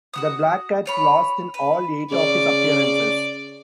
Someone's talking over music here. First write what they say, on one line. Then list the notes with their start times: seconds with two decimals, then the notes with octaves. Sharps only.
The Black Cats lost in all eight of his appearances.
0.14 F#4 F#5 D#6
0.86 F4 C#5 B5
1.54 B4
2.12 C#3 D5